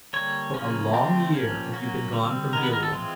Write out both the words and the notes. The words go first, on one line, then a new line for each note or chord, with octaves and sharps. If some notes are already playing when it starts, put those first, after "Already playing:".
For a long year have you been gone from Helium.
D3 G3 A#3 C#5
C#3 F3 A#3 C#4
D3 F3 A3 C4 G4
F3 A#3 C#4
F#3 A#3 C#4 F#4
D3 G3 C4
D#3 G#3 B3 A#4
B4
A#4
A4
E3 G#3 C4 F4